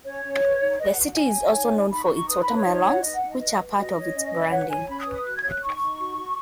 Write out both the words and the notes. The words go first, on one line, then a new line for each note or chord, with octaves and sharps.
The city is also known for its watermelons, which are part of its branding.
C#4 C#5
C#4
B4
D#4
B4 D#5
F#5
F#4
F#5
C#5 G#5
C#5
D#4
D#4
D#4 B5
C#6
D#4
C#6
B4 D#6
B5
B4
C#5
D#4
B4
F#5
D#4 D#5
F#5
D#4
D#5
B4 D#5
B4
F#4 D#5
C#5
C#4
B4
C#5 F#5
C#5 G#5
C#4 B5
D#6
B4
D#6
F#4 F#6
G#6
C#5
F#6
D#4 C#6
D#4
F#4
F#4